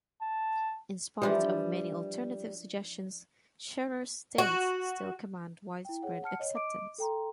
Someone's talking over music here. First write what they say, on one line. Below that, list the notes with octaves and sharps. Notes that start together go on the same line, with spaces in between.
In spite of many alternative suggestions, Scherer's dates still command widespread acceptance.
A5
E3 F3 G3 D4
F#4
E4 G5
G#4 C#5 F#5
F#5 A5 F6 C#7
C#5 D#5
D#5 D6 D7
A4 G5 A#5 C6